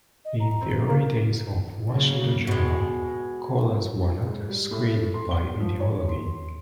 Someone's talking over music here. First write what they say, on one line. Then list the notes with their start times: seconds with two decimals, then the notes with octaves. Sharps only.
In the early days of "Washington Journal", callers were not screened by ideology.
0.25 D#5
0.40 A#5
0.61 C4
0.89 A#3
1.89 C#3 F#3 A#3 F#4
2.47 B2 G#3
4.26 G#2
4.49 G3
4.71 A2
5.14 C6
5.31 G7
5.60 F3
5.80 C#5
6.08 C6